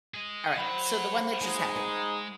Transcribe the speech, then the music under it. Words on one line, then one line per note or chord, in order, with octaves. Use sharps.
Alright, so the one that just happened.
G#4 D#5
F#3 C5 F#5 B5
G#3 D#4 G#4